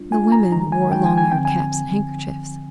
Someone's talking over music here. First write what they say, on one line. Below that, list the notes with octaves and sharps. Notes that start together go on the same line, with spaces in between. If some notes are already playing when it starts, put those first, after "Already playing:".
The women wore long-eared caps and handkerchiefs.
Already playing: G3 D4 F4
G3 D4 F4 G#5
A#5
D#3 G#3 D#4 A#5
G#5
D#3 G#3 D#4 G5
G#5
G#5
D3 F3 C4 G5
G#5